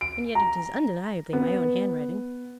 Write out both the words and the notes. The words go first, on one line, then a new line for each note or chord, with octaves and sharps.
And yet it is undeniably my own handwriting.
D7
A#5
B3